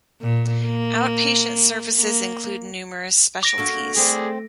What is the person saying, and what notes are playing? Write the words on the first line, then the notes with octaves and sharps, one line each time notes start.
Outpatient services include numerous specialities.
A#2
A#3
A#3
D6 A#6 D7
A#3 D4 F#4 A4
A3 C4 G#4 D5